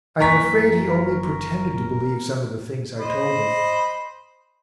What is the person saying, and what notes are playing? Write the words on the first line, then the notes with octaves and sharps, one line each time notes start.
I am afraid he only pretended to believe some of the things I told him.
F#1 F#2 E3 A#4 A#5 C#6 B6
C5 D#5 B5